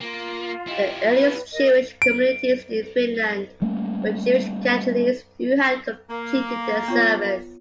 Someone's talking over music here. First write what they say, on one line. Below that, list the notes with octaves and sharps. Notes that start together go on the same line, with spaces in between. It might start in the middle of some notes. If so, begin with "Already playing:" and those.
The earliest Jewish communities in Finland were Jewish cantonists who had completed their service.
A#3 F4
E4 G4 D#5
B4
A#4 D#5
D7
G3 A3 A#3 C#4
A#3
B3 F4 C#5